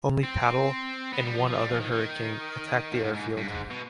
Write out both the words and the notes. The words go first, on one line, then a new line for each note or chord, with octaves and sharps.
Only Pattle and one other Hurricane attacked the airfield.
C4
B3
G3
F3
F3
G3
F3
D#3
D#3
G2
G#2
G#2
G2
G#2
B2